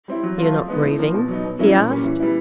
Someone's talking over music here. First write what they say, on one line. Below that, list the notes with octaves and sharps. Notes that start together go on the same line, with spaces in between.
"You're not grieving?" he asked.
G3 C4 E4
F#3
A3 C4 F4
F3
G#3 B3 D#4
A2
F3 A#3 D4 F4
B2
F#3 B3 D#4
B2
F#3 A#3 C#4 E4
A#2
G3 A#3 C#4
E3
G3 B3 E4